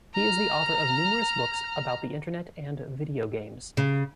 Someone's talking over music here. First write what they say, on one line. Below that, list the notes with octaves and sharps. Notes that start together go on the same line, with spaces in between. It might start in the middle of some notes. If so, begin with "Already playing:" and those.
He is the author of numerous books about the Internet and video games.
A#5 F6
C#3